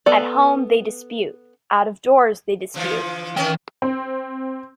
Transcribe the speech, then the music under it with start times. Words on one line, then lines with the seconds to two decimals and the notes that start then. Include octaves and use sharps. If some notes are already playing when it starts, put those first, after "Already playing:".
At home they dispute, out of doors they dispute.
0.06 B3 A4 D5
2.74 D3 E3 F3
3.37 D#3 E3 C#4 D#5 G5
3.82 C4